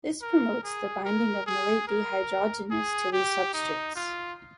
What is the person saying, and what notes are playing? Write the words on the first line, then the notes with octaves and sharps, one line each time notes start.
This promotes the binding of malate dehydrogenase to these substrates.
A#4
G#4
A#4
G#4
A#4
G#4
G4
D#4
F4